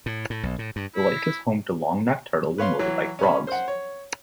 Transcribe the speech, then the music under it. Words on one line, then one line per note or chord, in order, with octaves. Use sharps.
The Lake is also home to long neck turtles and motorbike frogs.
A2
A2
B1
A2
G2
E4
B4 C#5 F5 C6
E3 F#3
C#4 B5
C5 F#5
C#5